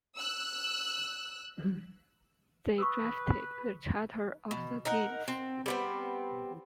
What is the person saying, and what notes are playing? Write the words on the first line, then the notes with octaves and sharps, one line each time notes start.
They drafted the Charter of the Games.
E6 F#6
B4 C#6 D#6 E6
B2
D#4 A#4 F#5
C4
G3 B3 C4